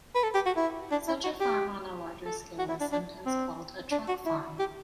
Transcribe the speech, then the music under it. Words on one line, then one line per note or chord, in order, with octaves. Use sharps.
Such a farm on a larger scale is sometimes called a truck farm.
B4
A4
G4
F#4
E4
D4
E4
F#4
G4
A4
F#4
E4
D4
D4
C4
D4
F#4
E4
G4